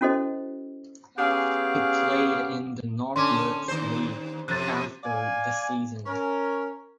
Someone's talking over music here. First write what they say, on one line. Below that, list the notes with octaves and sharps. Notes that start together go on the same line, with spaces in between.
He played in the Northwoods League after the season.
C#4 E4 F#4 A4 C5 D#5
B3 C#4 G4 G#4 F5 F#5
D3 C#4 C6 D6
D#2 C5
F2 C3 F#6 A6
D5 F5 G#5
C#4 A#4